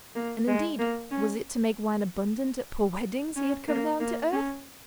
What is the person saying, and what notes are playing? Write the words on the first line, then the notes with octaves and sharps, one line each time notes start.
And, indeed, was it to make wine abundant at poor weddings He had come down to earth?
A#3
G#3
A#3
C#4
C#4
A#3
A#3
C#4